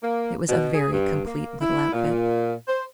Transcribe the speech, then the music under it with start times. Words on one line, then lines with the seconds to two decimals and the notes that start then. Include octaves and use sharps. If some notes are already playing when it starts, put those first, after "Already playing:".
It was a very complete little outfit.
0.02 A#3
0.49 B2
0.74 G#4
0.91 G2
1.25 A#3
1.60 E4
1.93 A#2
2.67 C5